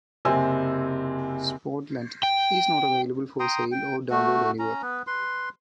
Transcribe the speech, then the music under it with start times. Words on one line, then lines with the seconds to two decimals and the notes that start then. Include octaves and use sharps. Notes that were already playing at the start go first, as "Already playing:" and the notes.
"Spodland" is not available for sale or download anywhere.
0.25 F#1 C3 C4 G#5 E6
2.23 G5
3.40 G5 A#5 C6 D#6
3.72 G5
4.10 A3 F#4
4.59 C#4 A#5
4.82 B3 B4
5.07 B4 C6